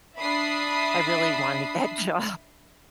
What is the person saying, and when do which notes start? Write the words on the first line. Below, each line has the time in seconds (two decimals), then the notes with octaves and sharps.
"I really wanted that job,"
0.17 D4 E5 B5 D#6 C7